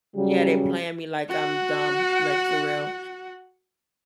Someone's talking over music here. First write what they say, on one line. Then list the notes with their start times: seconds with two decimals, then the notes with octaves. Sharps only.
yeah, they playing me like I'm dumb, like, for real,
0.16 C#3 F#3 G3
1.29 F#4 F#5